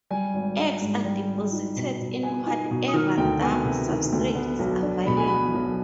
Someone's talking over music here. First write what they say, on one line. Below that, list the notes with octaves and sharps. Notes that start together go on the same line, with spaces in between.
Eggs are deposited in whatever damp substrate is available.
G3 G#5
G#1
D4
G#2
G3
G#1
D#4
B2
B2
B3 G#5
D#4 G#5
B2
D#6
D#3 F6
D2 G5
B3 G#5
C3
D#3
D2
B3
B1
D4
B2 B5
G#5
B3 B5
B1